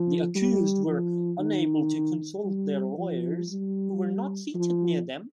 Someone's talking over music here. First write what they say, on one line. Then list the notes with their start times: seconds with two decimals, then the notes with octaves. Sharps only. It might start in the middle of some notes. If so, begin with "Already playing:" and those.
The accused were unable to consult their lawyers, who were not seated near them.
Already playing: F3
0.35 G3
0.87 F3
1.39 D#3
2.45 G3
2.97 F3
3.50 G3
4.54 F3